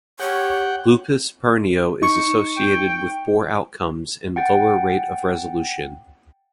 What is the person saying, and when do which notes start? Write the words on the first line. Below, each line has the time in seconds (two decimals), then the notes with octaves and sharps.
Lupus pernio is associated with poor outcomes and lower rate of resolution.
0.20 G4 C#5 F#5 G5
2.02 D#4 C#6 C#7
2.57 G5
4.36 F#5 G5 A6